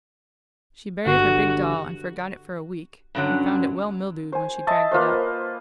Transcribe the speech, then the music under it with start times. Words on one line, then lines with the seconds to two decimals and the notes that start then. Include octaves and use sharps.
She buried her big doll and forgot it for a week, and found it well mildewed when she dragged it up.
1.06 G1 F#4
3.15 G2 D3 F#3 C#4
4.32 C5 G#5
4.67 D#5 E5 A5 C6
4.91 A#3 F4 B4 C5